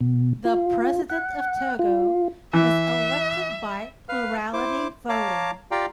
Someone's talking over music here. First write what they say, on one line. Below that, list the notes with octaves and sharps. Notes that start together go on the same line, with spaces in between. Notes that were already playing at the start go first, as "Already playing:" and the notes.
The President of Togo is elected by plurality voting.
B2
F4
F#5
F4
E3 E5
B4 F5 F6
E4 C5 D6
C#5 F5 A5 A#5 D6
F4 G4 D5 F5 G5 A#5